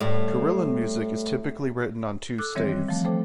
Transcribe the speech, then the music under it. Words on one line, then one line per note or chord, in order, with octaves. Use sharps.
Carillon music is typically written on two staves.
A2 G3
A4 D6 E6 F#6
D#3 E3 G3 C4 C#5 A#6
F3 A3
A3 A4 C5 G5 D6